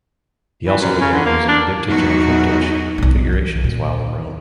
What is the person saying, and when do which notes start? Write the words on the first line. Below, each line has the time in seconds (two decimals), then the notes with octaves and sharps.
He also began using diptych and triptych configurations while in Rome.
0.67 E3
0.81 F#2
1.01 C#3
1.13 D3
1.25 A#3
1.48 D4
1.86 E2 F#3 D#4 F#4
2.98 B1 D#3
3.32 E3
3.64 A#2